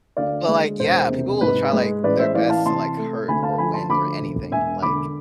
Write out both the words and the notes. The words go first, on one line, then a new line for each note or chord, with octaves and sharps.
But, like, yeah, people will try, like, their best to, like, hurt or win or anything, like,
D2 D5 F5
G#3
E1 C5
C3
G#2 B4
G#3
A1 B4 D5
C5 E5
E3 D5 F5
F5 A5
C3 A5 C6
A3
D2 G#5 B5
F5 A5
F3 G#5 B5
A5 C6
D2 B5 D6
E1
E1 E5 G#5
D3 B5 D6